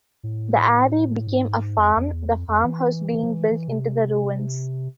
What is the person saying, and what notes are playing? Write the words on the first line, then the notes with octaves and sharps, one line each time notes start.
The Abbey became a farm, the farmhouse being built into the ruins.
A2
G#2
F2
F2
E2
F2
F2
E3
F3
E3
E3
C3